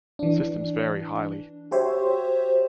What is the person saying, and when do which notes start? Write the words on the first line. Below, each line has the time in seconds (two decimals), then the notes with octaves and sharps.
Systems vary highly.
0.19 E3 D4
1.71 F#4 G4 C5 C#5 E5